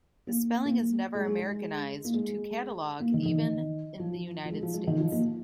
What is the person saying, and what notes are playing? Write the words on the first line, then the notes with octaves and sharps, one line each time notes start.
The spelling is never Americanized to "catalog", even in the United States.
A#3
A#3
G#3
G#3
G#3
A#3
G#3
A#3
D#3
D#3
F3
F3
G#3
F3
G#3
D#3
F3
A#3